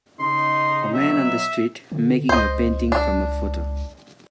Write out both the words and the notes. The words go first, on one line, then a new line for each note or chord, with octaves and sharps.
A man on the street making a painting from a photo.
C#3 C#4 D#4 C6
B2 F#3 E5
D3
C#2 C5 D#5
D4